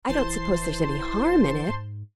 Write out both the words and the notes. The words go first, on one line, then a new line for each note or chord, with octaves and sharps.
"I don't suppose there's any harm in it."
D1 E3 C5 A5 C6
G#2